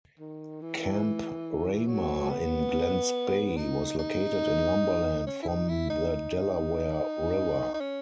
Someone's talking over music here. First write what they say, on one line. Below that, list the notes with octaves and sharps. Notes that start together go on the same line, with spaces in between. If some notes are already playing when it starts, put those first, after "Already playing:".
Camp Ramah in Glen Spey was located in Lumberland, from the Delaware River.
D#3
E3
F#3
B3
D#4
D#4
C#4
E4
D#4
E4
D#4
D#4
C#4